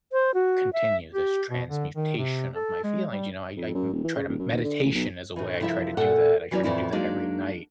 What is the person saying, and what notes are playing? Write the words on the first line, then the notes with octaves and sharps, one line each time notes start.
continue this transmutation of my feelings, you know, I I, m try to meditation is a way I try to do that, I try to do that every night,
C5
F#4
E5
G4
B2
D3
D#3
C3
A4
G#3
G3
F2
F#2
D#1
E3
C#3
D#1
F#2
D#2
D3
A1
B1
A2 D3 E3
C3 F3 E4 A#4 E5
A#2 A4 F#5
E3 F#3 C#4 E4 A#4 D5
F2 A2 E3 C4 E4 F4
F#3 G#3 A#3 D4 D#4